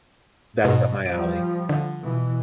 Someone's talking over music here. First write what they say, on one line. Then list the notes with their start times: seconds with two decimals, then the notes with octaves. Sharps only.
that's up my alley.
0.64 G#2 B2
1.06 F3 G3 D7
1.69 D3
2.00 B2 E3